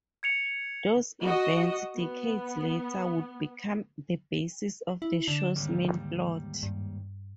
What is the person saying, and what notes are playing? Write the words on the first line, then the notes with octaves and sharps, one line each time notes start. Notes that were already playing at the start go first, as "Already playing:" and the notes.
Those events, decades later, would become the basis of the show's main plot.
G#6 C#7 F7
F#4 D#5
B3
E4
D3 D4
D#2 G#2 G3
G2